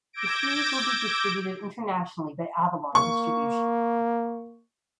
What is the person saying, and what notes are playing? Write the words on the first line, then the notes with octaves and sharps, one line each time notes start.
The series will be distributed internationally by Avalon Distribution.
D6 E6 G6 G#6 A#6 D7
A#3 C#6